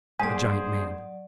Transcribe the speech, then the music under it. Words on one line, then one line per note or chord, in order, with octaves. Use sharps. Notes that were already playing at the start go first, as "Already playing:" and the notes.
A giant man.
G2 F#3 A#3 G#4 C5 D5 G#5